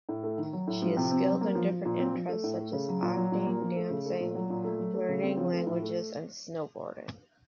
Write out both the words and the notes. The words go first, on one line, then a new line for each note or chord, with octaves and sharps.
She is skilled in different interests such as acting, dancing, learning languages, and snowboarding.
A2
A3
D#3
F#3
A2
F3
C3
C4
F#3
A#3
F3
F3
A#2
C4
F3
A3
A2
A3
C#3
F#3
A#2
F#3
A#2
A#3
F3
A3
C#3
A3
A#2
F#3
A#2
A3
F#3
A3
C#3
C4
F3
A3
A2
A3